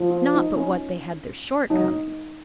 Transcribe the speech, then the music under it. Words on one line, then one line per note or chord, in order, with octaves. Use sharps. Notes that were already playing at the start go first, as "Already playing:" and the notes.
Not but what they had their shortcomings.
Already playing: F3
F4
D#4
C#4
F#3 D#4